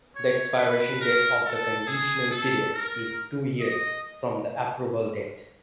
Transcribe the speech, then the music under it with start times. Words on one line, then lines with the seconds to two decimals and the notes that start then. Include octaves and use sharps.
The expiration date of the conditional period is two years from the approval date.
0.16 C#5
0.58 B4
1.01 A#4
1.45 A4
1.87 G#4
2.31 A4
2.74 A#4
3.60 D#5